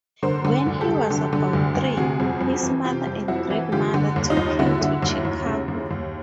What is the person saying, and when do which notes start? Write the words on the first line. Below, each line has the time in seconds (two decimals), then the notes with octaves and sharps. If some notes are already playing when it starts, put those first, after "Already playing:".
When he was about three, his mother and grandmother took him to Chicago.
0.23 D3 A#4 C5
0.45 D3
0.67 D2
0.81 G4 A4
0.89 D2
1.10 D3
1.33 D3
1.53 D2
1.75 D2
1.97 C3 F#4 G#4
2.20 F2
2.41 F2
2.63 E3
2.84 C3 F4 G4
3.07 F2
3.28 F2 E4 F#4
3.50 E3
3.72 D3 F4 G4
3.94 D3
4.16 D#2
4.30 D#4 F4
4.37 D#2
4.59 D3 E4 F#4
4.81 D3
5.03 D#2
5.25 D#2
5.46 C#3
5.68 D#2
5.91 D#2